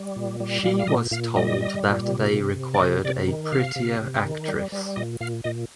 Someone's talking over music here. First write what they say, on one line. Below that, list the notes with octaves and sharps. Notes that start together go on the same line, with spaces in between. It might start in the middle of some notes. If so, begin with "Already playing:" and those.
She was told that they required a prettier actress.
Already playing: G3
A#2
G3
A#2 F5
F5
A#2 D#5
A#2 F5
G3 D#5
G3
A#2
C3
C3
C3
D5
C3 D#5
C3 D5
D#3
C3 F5
C3
C3
D#3
G3
G3
A#2 D#5
A#2 F5
A#2 D#5